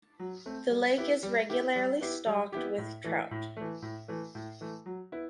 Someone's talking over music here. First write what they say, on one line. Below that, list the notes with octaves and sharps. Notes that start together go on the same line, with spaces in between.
The lake is regularly stocked with trout.
F#3
A3 C4
G3
B3 E4 G4
G3
B3 E4 G4
G3
B3 E4 G4
G3
B3 E4 G4
A2
E3 A3
A2
E3 A3
A2
E3 A3
A2
E3 A3
F#3
B3 E4